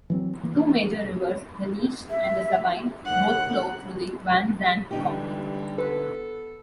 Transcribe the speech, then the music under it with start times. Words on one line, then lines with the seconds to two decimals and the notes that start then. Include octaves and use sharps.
Two major rivers, the Neches and the Sabine both flow through Van Zandt County.
0.10 E3 F#3 C4
0.43 E3 A#3
2.10 E5
3.05 D#2 F#5
4.91 D3 E3 G3 D#4 G4
5.78 B3 A4 B4